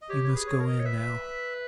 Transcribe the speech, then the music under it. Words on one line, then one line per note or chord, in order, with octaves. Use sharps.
"You must go in now!"
D#5
G4 C#5
C#5
B4
G#4
C#5
A#4
D#5
C#5
B4 E5